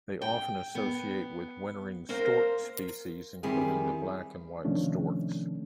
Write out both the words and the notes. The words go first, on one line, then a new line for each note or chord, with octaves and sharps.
They often associate with wintering stork species including the Black and White Storks.
G5
B3
A#3 A#4 C5
D#3 G3 C4 E4 G#4
C3 D#3 F3 A3 C#4 D4